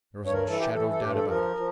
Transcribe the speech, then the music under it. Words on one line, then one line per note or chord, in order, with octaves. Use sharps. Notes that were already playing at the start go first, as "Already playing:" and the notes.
There wasn't a shadow of doubt about it.
G2
C#5
A#4
E3 A4
G4
E3 A4
A4
G2 G4
A4
F3 A#4
F3